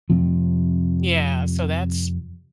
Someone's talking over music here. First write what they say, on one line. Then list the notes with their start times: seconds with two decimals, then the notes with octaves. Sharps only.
Yeah, so, that's,
0.10 F2 C3 F3